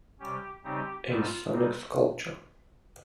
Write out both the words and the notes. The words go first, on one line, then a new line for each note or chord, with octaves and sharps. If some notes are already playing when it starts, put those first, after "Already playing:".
A sonic sculpture.
C3 G3 C#4 G4
C#3 G3 C4 D#4 G4
G#2 G3 C4 D#4 F4
C3 G3 C4 D#4